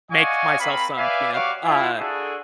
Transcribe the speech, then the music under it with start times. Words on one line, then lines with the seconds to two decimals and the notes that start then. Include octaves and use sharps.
make myself some peanut, uh
0.11 F#4 D5 D#5 F5 G#5 C#6
0.60 C4 A#4 F5 B5
0.97 B4 D5 E5 F5 G#5 B5
1.33 G3 F#4 C#5 F5 C#6 D6
1.64 E4 F4
1.98 D4 F#4 G#4 A4